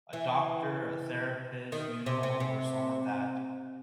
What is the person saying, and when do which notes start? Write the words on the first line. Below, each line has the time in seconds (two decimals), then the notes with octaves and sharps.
a doctor, a therapist, you know, o or someone that,
0.13 E3
1.72 D#3
2.06 C3
2.23 C3
2.40 C3